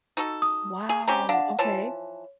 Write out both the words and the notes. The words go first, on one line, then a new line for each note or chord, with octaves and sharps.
Wow, okay.
D#4 F#4 A4
D#6
G#4
C4 C#4 G4 A#5
D4 F5 F#5
E3 F3 C#5 A5